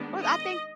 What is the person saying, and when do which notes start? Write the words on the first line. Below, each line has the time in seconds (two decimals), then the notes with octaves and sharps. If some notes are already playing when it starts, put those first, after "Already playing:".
Well, I think
Already playing: D#3 G#3 B3 D4
0.21 D#5